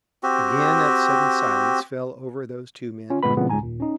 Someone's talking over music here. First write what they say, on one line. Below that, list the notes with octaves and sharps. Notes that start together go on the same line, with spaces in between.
Again that sudden silence fell over those two men.
C4 F#4 G4
C#4 F4
G1 A#2 G#3 B3 B4 B5
A#2 C#3 E3 G3 B3 C4
C#2 G#2 G#5 A#5
D#2 A#2
C#4 D#4